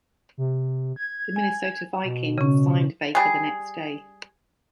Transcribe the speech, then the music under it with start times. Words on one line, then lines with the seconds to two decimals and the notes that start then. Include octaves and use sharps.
The Minnesota Vikings signed Baker the next day.
0.38 C3
0.96 G#6
1.36 G#5
2.04 B2
2.38 C#3 C#4
3.15 G3 G#4